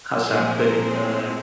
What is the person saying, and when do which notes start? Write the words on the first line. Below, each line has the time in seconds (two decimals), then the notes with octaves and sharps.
How should I put it? Uh,
0.25 A#2 F3 G#3 C4 G#4
0.57 A#4 C5
0.88 G#4